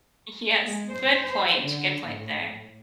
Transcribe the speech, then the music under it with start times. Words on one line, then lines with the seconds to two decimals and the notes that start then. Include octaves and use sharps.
Yes. Good point. Good point there.
0.63 G#3
0.92 C5
1.60 D3
2.09 A2